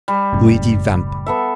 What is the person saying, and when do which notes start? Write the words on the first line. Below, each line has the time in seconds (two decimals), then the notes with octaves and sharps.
Luigi Vampa.
0.08 G3
0.33 F#1 A2 C#3
1.26 B3 A4 E5